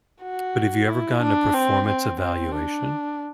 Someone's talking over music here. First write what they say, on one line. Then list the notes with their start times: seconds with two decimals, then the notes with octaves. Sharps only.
But have you ever gotten a performance evaluation?
0.23 F#4
0.88 E4
1.20 D4
1.54 C4
1.87 C4
2.20 C4
2.51 D4